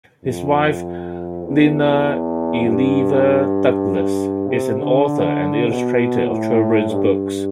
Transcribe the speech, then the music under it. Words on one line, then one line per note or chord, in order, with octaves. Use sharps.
His wife, Nina Ilieva Douglas, is an author and illustrator of children's books.
F2
E2
G2
C3
D3
B2
A2
G2